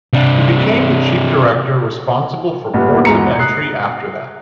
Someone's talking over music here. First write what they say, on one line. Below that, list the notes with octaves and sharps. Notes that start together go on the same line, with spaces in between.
He became the chief director responsible for ports of entry after that.
C3 D4
G1 G2 A#2 B3
E2 G#2 F#4 A#5 C#7
D#6 F#6 C7